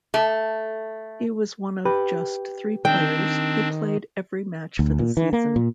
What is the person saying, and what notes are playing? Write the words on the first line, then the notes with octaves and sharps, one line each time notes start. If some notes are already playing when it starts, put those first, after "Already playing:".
He was one of just three players who played every match for the season.
A3
G4 B4
D#3 C4 D4 G5
D2
A#2
E3
A#3
A#2